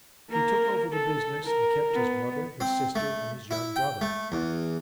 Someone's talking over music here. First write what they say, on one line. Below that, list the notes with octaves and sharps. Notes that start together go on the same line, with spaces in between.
He took over the business and kept his mother, his sister and his young brother.
A#3 A#4
A4
A#4
B3
C4
A3
E4
G5
A3
E2